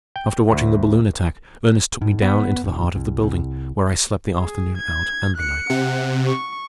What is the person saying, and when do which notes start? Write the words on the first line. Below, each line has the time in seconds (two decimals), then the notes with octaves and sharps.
After watching the balloon attack, Ernest took me down into the heart of the building, where I slept the afternoon out and the night.
0.16 G5
0.52 D2
2.02 G#2
2.22 B3
2.64 D#1
2.95 C2
3.23 C2
4.39 G#4
4.77 G#6
5.37 F#6 C#7
5.70 C3 F#5
6.28 C#6